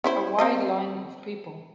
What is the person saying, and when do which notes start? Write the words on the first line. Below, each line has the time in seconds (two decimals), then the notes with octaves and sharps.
A wide line of people.
0.04 C#4 E4 C5
0.39 C4 D4 D#5